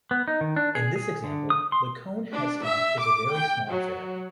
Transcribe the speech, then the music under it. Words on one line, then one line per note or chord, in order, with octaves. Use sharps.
In this example the cone-headstock is a very small affair.
B3
D#4
D#3
D4
G#4
G#4
D3
D#6
C6
D4
E5
D6
G5
F#3